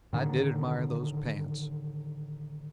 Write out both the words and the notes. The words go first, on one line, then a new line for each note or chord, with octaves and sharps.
I did admire those pants.
A2 D3 D#3